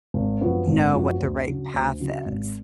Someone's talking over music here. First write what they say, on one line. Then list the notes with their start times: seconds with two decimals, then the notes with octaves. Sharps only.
know what the right path is?
0.14 G#1
0.41 F#2 F3 B3 F#4
0.68 G#1
0.93 F#2 F3 B3 F#4
1.20 D2
1.47 C#3 F#3
1.74 D2
2.00 C#3 F#3
2.26 G#1